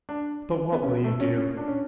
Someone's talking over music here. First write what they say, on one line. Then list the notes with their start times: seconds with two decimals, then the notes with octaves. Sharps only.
"But what will you do?"
0.09 D4
0.72 B3
0.83 C#4
0.88 B3
1.04 A3
1.20 C#4
1.36 C#4
1.57 D4
1.68 C#4